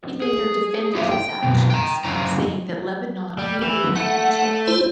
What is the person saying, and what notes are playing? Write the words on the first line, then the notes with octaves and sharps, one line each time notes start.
He later defended his actions, saying that Lebanon really had no choice.
G#4
E4 G4 C5 E5 F5
G5
F#2 B2 C4
G5 A#5
F#2 C#3 C#4 E4 C5 A#5
G3
E3
A3 F#5
E4 F4 C5